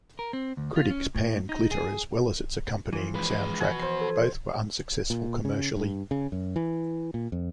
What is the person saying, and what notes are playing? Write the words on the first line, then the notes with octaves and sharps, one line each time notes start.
Critics panned "Glitter", as well as its accompanying soundtrack; both were unsuccessful commercially.
A#4
C4
D2
F4
C#4
A2
D#4
G#4
E3 F3
G#3 B4
F#4 B4 G#5
C5
A4
A#2
C#3
G2
C#3
F#2
E3
A#2
F2